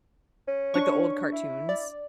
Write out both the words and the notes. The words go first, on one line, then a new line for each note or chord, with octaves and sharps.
Like, the old cartoons.
C#4
D4 C#6
E4
D5